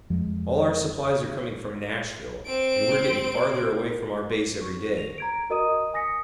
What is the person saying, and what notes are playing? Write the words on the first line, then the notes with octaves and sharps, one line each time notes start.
"All our supplies are coming from Nashville, and we are getting farther away from our base every day."
F2 F3 G#3
C4 D7
C#6
A#6 F7
A#5 G#6 D7
F#4 A#4 D#5 A#5 D#6 D#7
G#5 D#6 A#6 B6 C#7